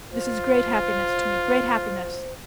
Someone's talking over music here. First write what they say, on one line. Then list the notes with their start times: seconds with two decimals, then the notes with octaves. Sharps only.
'This is great happiness to me, great happiness.
0.12 F4 C5